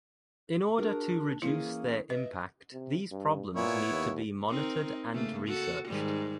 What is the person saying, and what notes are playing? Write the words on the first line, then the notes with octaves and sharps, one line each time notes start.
In order to reduce their impact these problems need to be monitored and researched.
D4 F#4 G#4 A#4
E3 A#3 C#4 E4 G#4
B4 D#5 E5
C3
G2
A#2 B3 E4 C#5
D#2
C4 D#4 A#4
C#3 A3 A#3
F#4 A4
G#2 D#3 G3